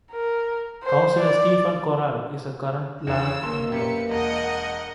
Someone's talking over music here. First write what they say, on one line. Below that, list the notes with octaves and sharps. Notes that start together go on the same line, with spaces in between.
Councillor Stephen Corrall is the current lord mayor.
A#4
C5
D5
E2 D3 E6
G1 A#3 C6
F#2 G4 B4 C#7
E1 A#4 D#5 F#5